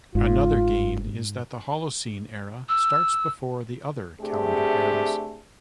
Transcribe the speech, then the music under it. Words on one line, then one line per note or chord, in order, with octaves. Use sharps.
Another gain is that the Holocene Era starts before the other calendar eras.
G1 G#2 F4
E6
C3 A3 D4 G4 G#4